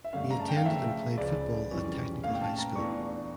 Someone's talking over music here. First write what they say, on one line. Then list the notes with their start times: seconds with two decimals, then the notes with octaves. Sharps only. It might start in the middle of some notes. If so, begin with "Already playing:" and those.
He attended and played football at Technical High School.
0.04 E5
0.13 G2 D3 A3 C#4 F5
0.31 A#5
0.40 A5
0.48 G5
0.56 F5
0.65 C#3 F3 A3 E5
1.18 C#2 C#3 F3 D5
1.71 F2 E3 G3 C#4
2.23 A#2 A3 C#4 F5
2.33 G5
2.41 A5
2.59 A#5
2.76 E2 E3 A3 D4 C#6